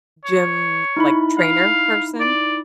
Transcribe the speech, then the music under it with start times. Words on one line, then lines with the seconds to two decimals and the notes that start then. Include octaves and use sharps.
gym, like, trainer person
0.25 C#5
0.97 D#4 E4 B5
1.38 F5
2.20 D5